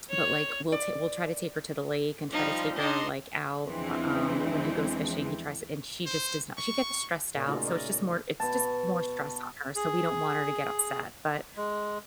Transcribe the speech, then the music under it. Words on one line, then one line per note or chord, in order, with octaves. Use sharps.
but, like, we'll t we'll try to take her to the lake and try to take her, like, out, bu um, when he goes fishing, he tries to and she just does not she gets stressed out, so it's just more it's just more stress on her, so we don't want her to get upset, but,
C#5
D5
F3 G3 D#4
D4 D#4 D#5 C6
E2 E3 F3 G#3 C4 D4
C5
C#6
A#2 C#4 A#4 D5
C#3 A3 D#4 F4 F#4 G#4
A#4 D5 D#5
B2 A5
G#4
G#3